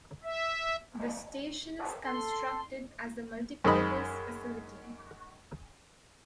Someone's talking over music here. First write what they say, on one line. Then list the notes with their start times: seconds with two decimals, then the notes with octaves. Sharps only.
The station is constructed as a "Multi-Purpose Facility".
0.24 E5
2.04 A4 C6
3.64 F#2 D#3 G#3 D#5 B5